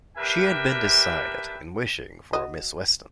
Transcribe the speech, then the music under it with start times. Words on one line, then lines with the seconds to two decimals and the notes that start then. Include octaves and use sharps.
She had been decided in wishing for a Miss Weston.
0.17 D4 G4 A#4 B4 E5 G5
2.33 F#4 D#5